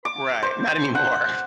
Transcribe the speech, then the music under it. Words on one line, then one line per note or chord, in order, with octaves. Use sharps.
Right. Not anymore.
D6
C5
F#5